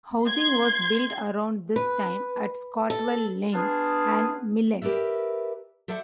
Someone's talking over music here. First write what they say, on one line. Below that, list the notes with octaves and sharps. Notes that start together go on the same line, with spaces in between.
Housing was built around this time at Stockwell Lane and Millend.
C6 G#6
B4
A4
B3 D4 F4 G#4
G4 A#4 B4 D5 E5
A4 C5 D5 E5 F#5